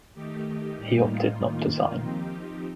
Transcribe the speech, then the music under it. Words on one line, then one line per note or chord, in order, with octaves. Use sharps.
He opted not to sign.
D#3 A3 D#4 G4
G4
A2 G3 A#3 D#4
F4
D#3 A#3 D#4 F4
F3 C4 D#4 G4